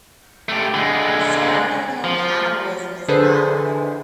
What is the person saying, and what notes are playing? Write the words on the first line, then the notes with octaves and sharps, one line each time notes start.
Ceremonial cannibalism is not unknown.
A3 G4
D3 G#3
F3
D3 G#4 A4 B4 C5